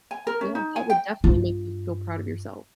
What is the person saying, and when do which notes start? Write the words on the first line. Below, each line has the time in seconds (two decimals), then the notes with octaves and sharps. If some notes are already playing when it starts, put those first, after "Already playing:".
Yeah, that would definitely make you feel proud of yourself.
0.11 G#5
0.27 A#4
0.41 C#4
0.55 D#4
0.76 G#5
0.90 G5
1.24 G2 F4